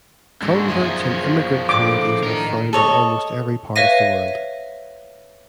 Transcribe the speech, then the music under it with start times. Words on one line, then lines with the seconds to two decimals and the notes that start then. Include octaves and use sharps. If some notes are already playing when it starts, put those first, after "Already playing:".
Converts and immigrant communities are found in almost every part of the world.
0.42 G#2 D3 A#3 F#4
0.69 F#2 F3 G#4 A#4 E5
1.69 A2 D3 D6
2.23 D#4 A#4
2.73 A4 C#5 D#5
3.76 B4 C#5 E5 F5 A#6 D#7